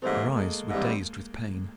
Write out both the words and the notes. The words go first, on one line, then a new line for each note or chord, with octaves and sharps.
Her eyes were dazed with pain.
G#2 E3 G3 A3 C4
A#3
A3
G#3
G#2 E3 G3 C4